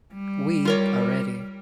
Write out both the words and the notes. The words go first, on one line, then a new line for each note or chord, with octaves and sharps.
We are ready.
G3
F4 A#4 C#5